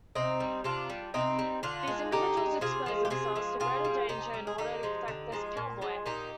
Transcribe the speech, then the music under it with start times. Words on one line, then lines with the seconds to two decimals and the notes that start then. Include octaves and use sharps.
These individuals expose themselves to great danger in order to protect the cowboy.
0.15 C3 C4 D#4
0.40 G3
0.64 C3 D4 F4
0.90 G3
1.14 C3 C4 D#4
1.39 G3
1.63 D3 D4 F4
1.87 G#3
2.12 D3 D#4 G4
2.37 G#3
2.61 C3 F4 G#4
2.86 F3 G#3
3.05 G4
3.10 C3 F4 G#4
3.36 F3 G#3
3.60 C3 F4 G#4
3.85 G3
4.09 C3 D#4 G4
4.34 G3
4.47 G#4
4.58 D3 D#4 G4
4.83 F3 G#3
5.08 D3
5.32 F3 G#3
5.57 A#2
5.82 F3 G#3
6.06 A#2 D#4 G4